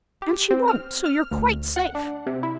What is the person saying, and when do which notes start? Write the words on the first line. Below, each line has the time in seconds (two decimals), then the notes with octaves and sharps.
'And she won't, so you're quite safe.'
0.22 G4
0.51 C4
0.68 F6
1.06 F6
1.31 D2
1.76 F#5
1.95 D4
2.27 C3
2.43 E4